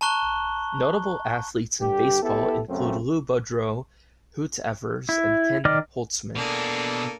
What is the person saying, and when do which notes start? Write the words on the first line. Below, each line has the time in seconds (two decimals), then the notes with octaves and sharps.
Notable athletes in baseball include Lou Boudreau, Hoot Evers and Ken Holtzman.
0.01 A5 A#5 C#6 F#6 G7
1.81 G2 D3 G4
2.22 B3 E4 G4 A4
2.69 F#2 C#3 F#3 A3 C4
5.09 E4
5.65 D#3 D5 D#5 D6 F6
6.36 B2 A#3 D4 G#4 A4